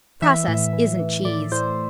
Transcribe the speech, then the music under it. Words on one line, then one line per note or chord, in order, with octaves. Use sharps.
Process isn't cheese!
E3 E5
A2
E3
E3
A2 D5
A2 C5